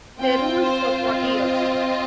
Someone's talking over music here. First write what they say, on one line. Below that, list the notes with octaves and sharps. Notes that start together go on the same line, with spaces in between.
They ruled for forty years.
C4 F4 G5
C5
D#5